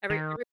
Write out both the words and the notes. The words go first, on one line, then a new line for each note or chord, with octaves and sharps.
Every every
D#3